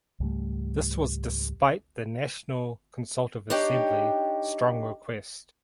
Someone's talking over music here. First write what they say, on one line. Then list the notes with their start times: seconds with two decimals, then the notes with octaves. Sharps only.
This was despite the National Consultative Assembly strong request.
0.20 C#2 G#2 G3 A3
3.50 D4 D#4 G4 C#5 G5